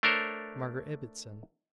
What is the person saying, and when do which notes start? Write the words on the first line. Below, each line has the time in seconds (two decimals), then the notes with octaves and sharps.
Margaret Ibbotson!
0.03 A3 D4 A#4 C5 C#5